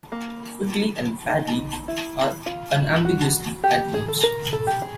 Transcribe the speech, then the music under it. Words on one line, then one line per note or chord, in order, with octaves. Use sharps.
"Quickly" and "badly" are unambiguously adverbs.
A#3
D#4
E4
F4
F#4
G4
G#4
A4
A#4
A4
G4
G#4